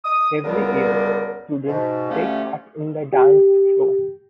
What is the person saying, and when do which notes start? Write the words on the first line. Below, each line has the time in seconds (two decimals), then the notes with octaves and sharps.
Every year, students take part in the Dance Show.
0.05 D#6
0.43 C#2 F#2 D3 G3 B3 A#4
1.67 G#2 B2
2.09 D2 D3 F3 A3 C#4 G4
3.13 G4